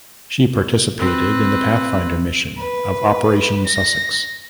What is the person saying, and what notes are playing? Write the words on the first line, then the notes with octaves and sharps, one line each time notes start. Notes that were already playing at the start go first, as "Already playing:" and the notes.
She participated in the Pathfinder Mission of Operation Sussex.
C4 B4
B4
A#6